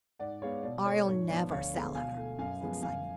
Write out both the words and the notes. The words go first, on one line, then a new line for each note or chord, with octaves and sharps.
"I'll never sell her," said Simon.
G#2 D5 F#5
G#3 B3 C#5 F5
B2 D5
A3 C#5
G#2 C#5
F3 B3 D5
D2 C#5 F5
D3 G#3 B3
B2 F5 G#5
A3
F#2 F5 G#5
F3 G#3 B3
F#2 F5 G#5